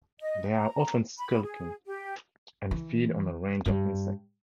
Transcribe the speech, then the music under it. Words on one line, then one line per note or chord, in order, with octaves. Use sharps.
They are often skulking, and feed on a range of insects.
D#5
A#5
B5
G#4
G4
E3
G2 G3